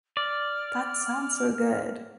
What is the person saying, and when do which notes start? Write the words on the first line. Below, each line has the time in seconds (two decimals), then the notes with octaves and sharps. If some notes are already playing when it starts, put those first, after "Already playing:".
That sounds so good.
0.17 D5 F6